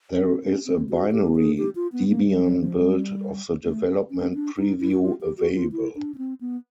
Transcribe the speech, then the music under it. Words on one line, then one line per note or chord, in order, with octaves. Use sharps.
There is a binary Debian build of the development preview available.
F#4
C#4
C4
F#4
G4
G#4
G4
F4
B3
A#3
G3
F#3
F3
G3
A3
C#4
D4
D#4
E4
F#4
F4
G4
F#4
F4
E4
D4
C#4
C4
B3